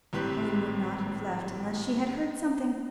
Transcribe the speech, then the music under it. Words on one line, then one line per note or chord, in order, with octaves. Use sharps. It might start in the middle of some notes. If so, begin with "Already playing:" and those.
Helen would not have left unless she had heard something.
G#1 A2 C4 G4 B4 F#6